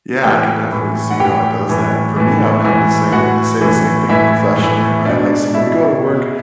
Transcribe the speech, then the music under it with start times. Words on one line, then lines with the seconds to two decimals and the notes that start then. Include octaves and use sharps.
Yeah, I could definitely see how it does that. For me, I would have to say to say the same thing professionally, right? Like, so when we go to work,
0.23 A2 E3 G4 G5
0.72 A2 E3
1.10 F#5
1.20 A2 E3 G4 G5
1.69 A2 E3
2.16 A2 E3
2.65 A2 E3
3.12 A2 E3 F#4 F#5
3.61 A2 E3
4.09 A2 E3 E4 E5
4.57 A2 E3
5.05 B2 D4 D5
5.54 B2 E4 E5
6.02 B2